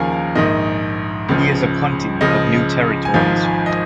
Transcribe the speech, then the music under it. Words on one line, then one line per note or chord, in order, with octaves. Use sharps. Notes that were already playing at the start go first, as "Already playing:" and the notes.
He is a Punti of New Territories.
Already playing: D#2 C#3 F3 A#4 F5 G#5
F5
A#1 G#2 D#3 D#5
C#2 C#3 F3
C#2 C#3 F3 D#5
G#5
G#1 G#2 F3 F5
G#5
D#5